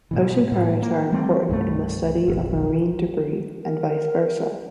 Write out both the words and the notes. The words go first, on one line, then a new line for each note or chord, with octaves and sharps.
Ocean currents are important in the study of marine debris, and vice versa.
G#2 B2 E3
A2
A#3
E3 G3 A3 C4
C2 G2 F3 A3
F#1 B1
A#4